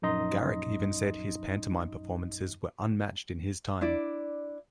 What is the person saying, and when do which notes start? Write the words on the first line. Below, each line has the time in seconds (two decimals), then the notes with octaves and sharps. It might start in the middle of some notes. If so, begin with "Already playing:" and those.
Garrick even said his pantomime performances were unmatched in his time.
0.02 A#1 F#2 D#4 D#5 C6
3.81 D4 E4 D5